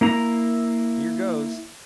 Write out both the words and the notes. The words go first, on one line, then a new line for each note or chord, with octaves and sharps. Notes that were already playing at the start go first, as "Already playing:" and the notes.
"Here goes!"
A#3 E4 A#5